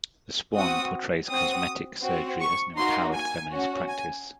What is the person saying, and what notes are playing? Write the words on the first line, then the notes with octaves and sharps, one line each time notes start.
"The Swan" portrays cosmetic surgery as an empowered, feminist practice.
C4 F#4 D#6
C4 F#4 D#6
C4 F#4
C#6
A#3 D#4 F#4 C6
G#5
C#4 F#4
G#5